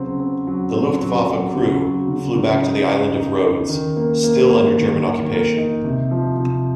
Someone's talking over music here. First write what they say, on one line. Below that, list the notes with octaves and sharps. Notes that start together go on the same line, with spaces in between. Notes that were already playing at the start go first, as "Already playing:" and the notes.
The Luftwaffe crew flew back to the island of Rhodes, still under German occupation.
Already playing: C#3 F#3 C4
C4
F#3
C4
F#3
F#3
C#3
F#3
C#3
C#3
D#4
D#4
D#4
D#4
D#3
A#3
A#3
A#3
D#3
D#3
A#3
D#4
C3
F3
C3